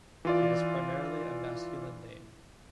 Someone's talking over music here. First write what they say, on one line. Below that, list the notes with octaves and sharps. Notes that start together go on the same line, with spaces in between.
It is primarily a masculine name.
E3 F4 D5